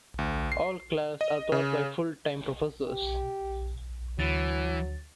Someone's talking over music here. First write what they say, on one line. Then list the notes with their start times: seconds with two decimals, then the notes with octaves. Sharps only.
All classes are taught by full-time professors.
0.18 D2
0.52 C7
1.21 D#5
1.52 C#3
2.88 G4
4.19 D2 E3 F#3 A6